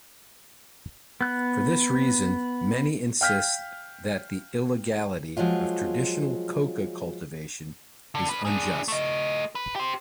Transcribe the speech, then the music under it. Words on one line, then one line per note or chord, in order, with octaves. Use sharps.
For this reason many insist that the illegality of traditional coca cultivation is unjust.
B3 F#6
F5 G5 F6 G6 B6
F3 F#3 G#3 F4
D3
D4 B4
D4 G#4
A3 D#5
B4
G4 C5